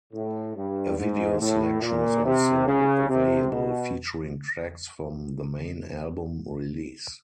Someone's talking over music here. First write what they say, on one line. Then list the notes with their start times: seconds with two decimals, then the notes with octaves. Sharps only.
A video selection was also available featuring tracks from the main album release.
0.13 A2
0.55 G2
0.97 G#2
1.39 A2
1.81 A#2
2.24 C3
2.66 C#3
3.09 C3
3.51 B2